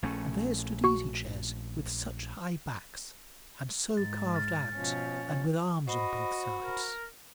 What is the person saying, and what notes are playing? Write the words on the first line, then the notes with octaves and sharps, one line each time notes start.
And there stood easy-chairs, with such high backs, and so carved out, and with arms on both sides.
A#1 A3 C#4
F#4 C#6
G#2 A6
F6 A6
B2 F3 C#4
F#4 C5 D#5 B5
A#4